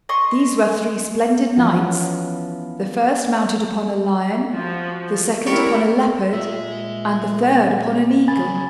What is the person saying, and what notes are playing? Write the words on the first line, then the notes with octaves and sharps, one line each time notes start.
These were three splendid knights, the first mounted upon a lion, the second upon a leopard, and the third upon an eagle.
D#5 C6 C#6
E3 F3 B3 C#4 F4 F#4
F3 F#4
G3 E4 F#4 A#4
A#2 G#3 D#5 E5
F2 C#3 G#5 B5 A6